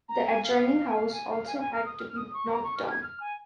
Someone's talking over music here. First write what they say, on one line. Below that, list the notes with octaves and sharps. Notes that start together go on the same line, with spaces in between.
The adjoining house also had to be knocked down.
A#5
G#5
F5
G#5
F5
G#5
F5
G#5
F5
G#5
F6
D#6
F6
D#6
C#6
A#5
C#6
F6
G#6
F6
G#5